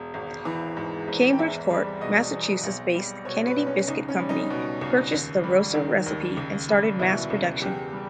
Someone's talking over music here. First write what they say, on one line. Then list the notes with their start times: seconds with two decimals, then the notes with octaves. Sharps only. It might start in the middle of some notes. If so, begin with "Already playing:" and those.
Cambridgeport, Massachusetts-based Kennedy Biscuit Company purchased the Roser recipe and started mass production.
Already playing: E1
0.14 G#1
0.45 E3
0.77 G#2
1.08 G#1
1.33 G5
1.39 E2 E5
1.70 G3
2.01 B2 D#5
2.32 E2
2.63 B1
2.95 G3
3.25 B2 C#5
3.46 B4
3.57 B1
3.67 C#4
3.88 C#2 D#4
4.08 C#4
4.19 G3
4.29 D#4
4.50 B2
4.81 C#2
5.12 D#2
5.44 G3
5.75 D#3
6.06 D#2
6.37 C#2
6.68 G3
6.99 B2 E4
7.30 C#2
7.62 E2 G4
7.93 G3